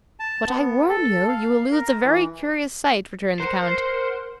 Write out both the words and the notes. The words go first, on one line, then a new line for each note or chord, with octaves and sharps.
"But I warn you, you will lose a very curious sight," returned the count.
A5
B3
A4
F5
A#4
E3
A#4 C5 F#5 C6